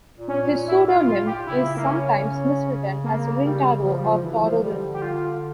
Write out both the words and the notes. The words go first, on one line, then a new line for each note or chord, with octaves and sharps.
His pseudonym is sometimes miswritten as Rin Taro or Taro Rin.
A#2
C#4
A#2
E4
F4
F4
G4
C#3 E4
A#3
C#4
A#3
G3
F3
G3
F3
E3
F3
D3 G3
G4
F4